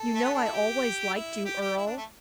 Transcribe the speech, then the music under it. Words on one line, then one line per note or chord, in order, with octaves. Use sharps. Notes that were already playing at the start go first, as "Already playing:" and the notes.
"You know I always liked you, Earle."
Already playing: A4
A3
B3
D4
E4
G4
E4
G4
G4
E4
D4
A3